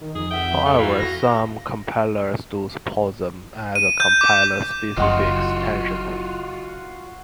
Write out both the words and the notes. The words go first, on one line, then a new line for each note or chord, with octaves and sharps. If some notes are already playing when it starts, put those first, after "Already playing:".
However, some compilers do support them, as a compiler specific extension.
D#3 D#4
F2 G#4
E5 F#5 G5
A3 A4
E3 F#4 F5
A#6
D#7
G6
D6
F#1 F#2 F4 F#4 D#5 F#5 C6